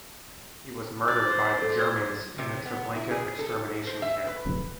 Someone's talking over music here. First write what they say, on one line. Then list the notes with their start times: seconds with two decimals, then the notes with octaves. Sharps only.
He was murdered by the Germans in the Treblinka extermination camp.
1.08 D5
1.24 C5
1.61 A4
1.79 G#6
2.38 C3
2.66 B3
2.96 E4
3.11 G#4
3.39 A4
3.87 C5
4.02 E5
4.27 B4